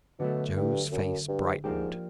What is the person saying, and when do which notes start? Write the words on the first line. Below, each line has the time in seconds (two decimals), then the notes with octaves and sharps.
Joe's face brightened.
0.20 B2 D3 F#3 A3
0.56 G2
0.92 F#2
1.28 G2
1.64 G#2 F3 A#3 D4 G4